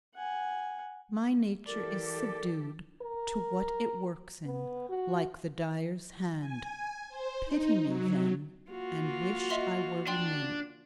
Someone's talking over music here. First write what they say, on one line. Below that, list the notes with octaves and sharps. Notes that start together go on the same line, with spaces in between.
"My nature is subdued To what it works in, like the dyer's hand: Pity me, then, and wish I were renewed!"
F#5 G#5
E3 G4 A4 A#4 D5
A#4
B3
F#4
G#5
C5
D#4
F#3
A#3 F4 F#4
D#5 E5 C6
D4 G5 C6 G7